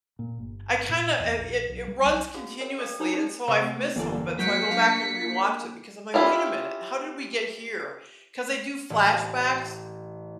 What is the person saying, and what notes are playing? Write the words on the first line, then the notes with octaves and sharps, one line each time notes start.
I kinda a it it runs continuously and so I've missed some of it, so I go back and rewatch it because I'm like, "Wait a minute. How did we get here?" 'Cause they do flashbacks
A#2
G1
A#2
E2
A#1
B1
G3
B1
F#4 G#4 F5 F#5
A#4 C#5 G5
A4 D5 F5 G5
D4 D#4 A#4 C#5 G5 A#5
C#4 D#4 G4 A4 A#4 D5
C3 A3 C4 C#5 F#5 C#6
G1 E2 A#3 A4 D5
F#3 G#3 F#6 G6 B6 C#7 D7
D4 F5 A#6 C7
C#4 E4 F4 G4
A1